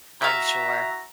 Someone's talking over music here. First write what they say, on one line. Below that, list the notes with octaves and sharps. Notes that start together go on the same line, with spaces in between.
I'm sure.
E4 F#4 E5 F5 A#5